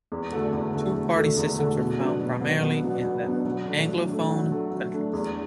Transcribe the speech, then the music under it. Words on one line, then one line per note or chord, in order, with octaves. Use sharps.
Two party systems are found primarily in the Anglophone countries.
E2
D3 A3 F#4 A4
E2
D3 A3 F#4 A4
E2
D3 A3 F#4 A4
E2
D3 A3 F#4 A4
B2
F#3 B3 D4
B2
F#3 B3 D4
B2
F#3 B3 D4
B2
F#3 B3 D4
F#3
A3 D4
F#3
A3 D4
F#3
A3 D4
F#3
A3 D4
E2